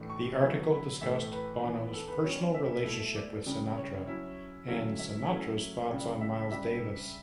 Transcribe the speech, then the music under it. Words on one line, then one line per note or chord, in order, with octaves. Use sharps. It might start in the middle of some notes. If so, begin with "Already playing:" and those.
The article discussed Bono's personal relationship with Sinatra, and Sinatra's thoughts on Miles Davis.
Already playing: A2 E3 A3 D4
C#6
D3 F#3 B3 E4
B5
A2 E3 A3 E5
B4
E3 B3 D4
A4
B4
B2 G3 C#4 C#5
D5
E5
B2 A3 E4
D5
C#3 G3 D4
C#5
F#3 C#4 E4
D3 F#3 A3 C#4 E4
E5
F#3 A3 C#4 E4
C#3 G3 D4
E5
C#3 G3 D4 E5